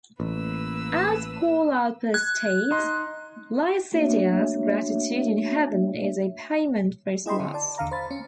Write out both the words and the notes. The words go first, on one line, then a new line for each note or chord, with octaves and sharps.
As Paul Alpers states, Lycidias' gratitude in heaven is a payment for his loss.
A1 A#3 B4 E6
F#6 G#6
D#4 D#5 C6
A3 A#3 D4 F#4 C#5 E5
E4 G#4 D#5 G5 B5 C6
D3
D5 A5
D#2 D3 F5 A#5
C5 B5 A6
C#4